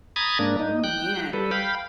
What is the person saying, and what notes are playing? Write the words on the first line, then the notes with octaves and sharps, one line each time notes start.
Oh, man.
A#5 B5 D#6 G#6 A6
G#2 A#3 D4
D#4
G5 F#6 G6
G3 A4 B4
F5 G5 B5